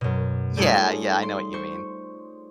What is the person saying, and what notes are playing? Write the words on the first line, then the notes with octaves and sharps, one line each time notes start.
Yeah, yeah, I know what you mean.
F#2 B2
G3 A3 C#4 D#4 F4 G#4
C6
C5 C#6